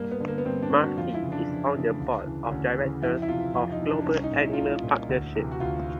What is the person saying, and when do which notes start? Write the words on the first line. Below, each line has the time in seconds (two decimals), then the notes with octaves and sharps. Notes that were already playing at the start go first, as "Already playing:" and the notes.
Mackey is on the Board of Directors of Global Animal Partnership.
Already playing: G2 A#3
0.11 B3
0.20 D3
0.28 A#3
0.38 B3
0.46 G2 C4
0.63 D4
0.71 D3
0.80 F#4
0.97 F2 F4
1.14 E4
1.23 C#3 E3
1.32 D4
1.48 F2
1.75 C#3 E3
2.00 D2
2.26 C#3 E3
2.51 D2 C#4
2.77 C#3 E3
3.03 F2 E4
3.22 E4
3.28 C3 E3 F4
3.54 F2 E4
3.72 D#4
3.80 C3 E3
3.89 D4
4.02 D4
4.06 C2 C#4
4.24 D#4
4.32 A#2
4.40 E4
4.53 C2 F4
4.67 E4
4.83 A#2
5.09 D2
5.36 C3 E3
5.51 F#4
5.60 D2 F4